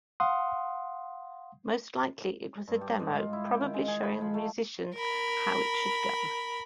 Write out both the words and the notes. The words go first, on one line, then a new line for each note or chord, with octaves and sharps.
Most likely it was a demo, probably showing the musicians how it should go.
F5 F#5 C6 D#6
G2
G4
G#2
F4
E4
G5
D#3
G#3
G#4
B5
F3
A3
A#4 B5